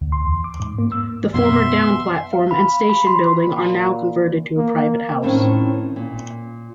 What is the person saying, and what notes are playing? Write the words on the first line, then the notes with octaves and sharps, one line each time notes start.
The former down platform and station building are now converted to a private house.
D2
C6
E2
D6
G#2
A#3
E6
F#2 B2 F#3 B3 E5 C6
F5
B5
B5
C6
A#2
A#3
F2 A2 D#3 G#3 C4 C#4
A#2